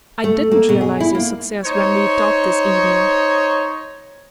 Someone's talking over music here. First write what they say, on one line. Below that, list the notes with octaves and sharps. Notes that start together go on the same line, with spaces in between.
I didn't realise your success when we talked this evening.
A3
A#3
B2
G#4
E4
A#3
D#4 C5 C#5